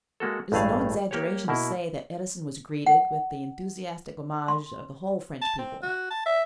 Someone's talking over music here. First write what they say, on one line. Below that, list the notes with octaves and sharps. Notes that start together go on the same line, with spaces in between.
It is no exaggeration to say that Edison was greeted with the enthusiastic homage of the whole French people.
G#3 A#3 F#4 A4
A1 G2 A3 G#4 F5
A#3 G4 C#5
B2 A#3 E4
F#5
C6
A5
C4
F#4
A5
E5